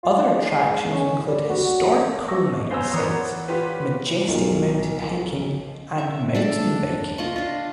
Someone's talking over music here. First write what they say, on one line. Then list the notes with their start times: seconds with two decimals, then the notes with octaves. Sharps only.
Other attractions include historic coal mine sites, majestic mountain hiking and mountain biking.
0.03 F4
0.35 G#3
0.91 C#4
1.27 G3
1.49 F#4
2.28 C#6 D6 E6 A#6
2.71 B3 C5 C#5 F5 G#5 A#5 C6 E6
2.94 E3 A#4 C#5 D5 F#5 A#5 D#6
3.48 F4 G4 B4
4.28 B1 F4 A#4
5.98 E5
6.35 D4 A4 D5
7.18 F4 D#5 B5 C#6
7.36 D4 F4